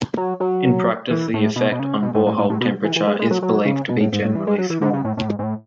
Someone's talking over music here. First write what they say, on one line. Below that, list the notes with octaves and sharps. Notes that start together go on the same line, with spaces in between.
In practice the effect on borehole temperature is believed to be generally small.
F#3
F#3
E3
A2
B2
B2
C#3
B2
G#2
A2
A2
A2
B2
E3
E3
G#3
G#3
F#3
F#3
C#3
B2
A2
G#2
A2
E3
G#3
F#3
E3
D3
C#3
A2
A2
G#2
G#2
A2